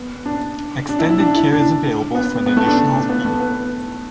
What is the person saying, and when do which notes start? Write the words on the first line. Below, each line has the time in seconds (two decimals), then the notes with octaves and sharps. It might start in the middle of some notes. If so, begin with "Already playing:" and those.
Extended care is available for an additional fee.
Already playing: B3
0.26 D4
0.89 D4
0.99 E4
1.10 E4
1.20 D4
1.36 E4
1.52 D4
2.15 B3
2.46 B3
2.57 A3
2.67 D4
2.93 D4
3.09 B3
3.25 A3
3.40 B3